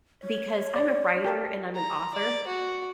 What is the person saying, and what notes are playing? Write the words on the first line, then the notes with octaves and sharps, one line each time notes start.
because I'm a writer and I'm an author,
C#5
D5
G4 A#4 A5
A#5
D5
F#4